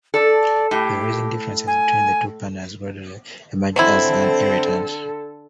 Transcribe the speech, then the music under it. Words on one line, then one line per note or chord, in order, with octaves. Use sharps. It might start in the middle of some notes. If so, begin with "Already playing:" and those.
The rising differences between the two partners gradually emerged as an irritant.
A4 D5
A2 G4
G#5
D3 F#3 G#3 C4 E4 A4